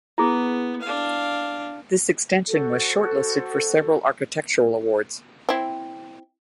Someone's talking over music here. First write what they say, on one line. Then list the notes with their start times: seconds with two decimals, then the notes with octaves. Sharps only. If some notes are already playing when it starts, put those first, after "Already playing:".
This extension was shortlisted for several architectural awards.
0.18 B3 E4 G#4
0.82 D4 F5
2.48 F#4 A4 C5
5.49 C4 E4